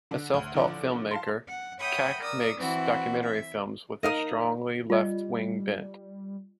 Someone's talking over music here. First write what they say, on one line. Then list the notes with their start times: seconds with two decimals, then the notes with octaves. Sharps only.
A self-taught film-maker, Kak makes documentary films with a strongly left-wing bent.
0.11 D3 D4
0.34 D2
0.54 A1 D3 F3 D5
1.11 F5 A5 C6
1.48 F#5
1.80 C#5 E5 F#5 G5 B5 D#6
2.19 A#4 D5 D#6 E6
2.56 E3 C4 E4 F#4
3.25 E5
4.03 D#4 A#4 D#5 F5 D#6
4.90 G3 F4 D#5